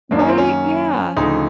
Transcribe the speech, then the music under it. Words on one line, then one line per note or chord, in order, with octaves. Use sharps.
Right? Yeah,
F#2 D#3 F#3 A#3 D4
C#4
C4
C#4
D2 C#3 F3 A3 D#4